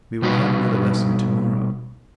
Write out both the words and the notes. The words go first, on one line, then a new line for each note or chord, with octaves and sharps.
We will have another lesson to-morrow.
B2 G3 D#4 F#4 B4